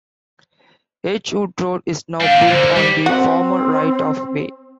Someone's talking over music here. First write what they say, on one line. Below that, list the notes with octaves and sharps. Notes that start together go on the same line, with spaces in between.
Edgewood Road is now built on the former right of way.
G3 D4 F5
A#2
D3 A#3 C5
G3 G4
C4 F#4